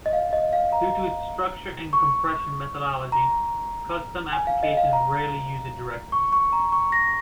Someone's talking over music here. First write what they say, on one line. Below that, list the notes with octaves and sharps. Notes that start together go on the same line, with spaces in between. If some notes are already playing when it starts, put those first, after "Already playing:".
Due to its structure and compression methodology, custom applications rarely use it directly.
D#5
F5
D#5
F5
A#5
C#6
A#5
G#5
F5
D#5
F5
A#5
C#6
C#6
A#5
C#6
A#6